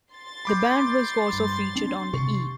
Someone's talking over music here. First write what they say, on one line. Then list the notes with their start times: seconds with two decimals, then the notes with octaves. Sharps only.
The band was also featured on the E!
0.11 C6 A6
0.45 B5 D6 G6
1.33 G2
1.76 C4 D4
2.14 C3 C#6